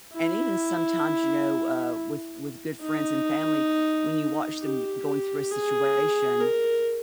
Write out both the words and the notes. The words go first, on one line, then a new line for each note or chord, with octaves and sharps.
And even sometimes, you know, uh, with with good friends and family, when you watch them g going through a situation
E4
D#4
G4
G4
G#4
A#4